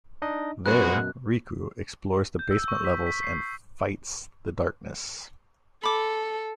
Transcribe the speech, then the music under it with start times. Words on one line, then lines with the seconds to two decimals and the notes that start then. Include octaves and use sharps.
There, Riku, explores the basement levels and fights the darkness.
0.22 D4 D#4 D#5
0.66 F#2 B2 G#3 F#4 B4 F#6
2.39 G6
2.51 E6
2.68 C#6
2.85 B6
3.07 B6
3.23 C7
5.83 A4 B5 D6